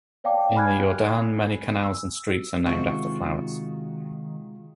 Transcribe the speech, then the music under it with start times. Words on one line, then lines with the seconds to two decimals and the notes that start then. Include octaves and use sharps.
In the Jordaan many canals and streets are named after flowers.
0.24 C#5 D5 F5 G5 A5 D6
0.55 G#5 B5 F6 F#6 G#6
1.84 E6
2.66 C3 D#3 F3 G#3 F4 F#4